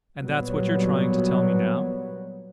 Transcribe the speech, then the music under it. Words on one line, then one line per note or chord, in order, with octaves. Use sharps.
"And that's what you're trying to tell me now?"
A#2 F#3 G3 B3